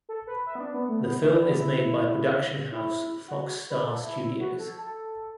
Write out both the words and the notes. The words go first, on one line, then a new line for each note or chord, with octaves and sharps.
The film is made by production house Fox Star Studios.
A4
B4
E5
B3
D4
B3
A3
B3
A3
D4
B3
E4
E4
F#4
F#4
B4
A4
E4
E4
F#4
A4
A4